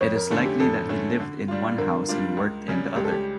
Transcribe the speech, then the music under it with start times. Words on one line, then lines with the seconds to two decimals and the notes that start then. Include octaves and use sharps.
It is likely that he lived in one house and worked in the other.
0.01 F2 C#5
0.15 A#4
0.30 D3 A3 C#4 A4
0.45 G4
0.60 F2 A4
0.89 D3 A3 C#4
1.20 D3
1.48 G3 D4 F4
1.78 D3 A#4
2.09 G3 D4 F4
2.37 C#2
2.68 C#3 G3 C#4
2.96 C#2 G4
3.04 A4
3.11 G4